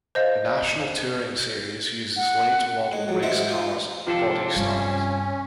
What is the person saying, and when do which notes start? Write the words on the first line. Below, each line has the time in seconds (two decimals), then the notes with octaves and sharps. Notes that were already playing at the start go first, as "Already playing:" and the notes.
The national touring series uses late model racecars body styles.
0.15 C5 D#5 F5
2.16 F#5
2.93 G#3
3.08 F2 F#3
3.22 A1 G#3 E4 C5 E5 F#5
3.51 F4
4.07 C3 F3 D4 F4 G4 A4
4.56 G2 G3 C#4